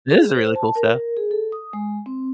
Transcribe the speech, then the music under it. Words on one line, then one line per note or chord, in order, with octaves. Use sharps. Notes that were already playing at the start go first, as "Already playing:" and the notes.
This is really cool stuff.
G#4
C5
A5
A#4
G#4
A4
D#6
G#3
C4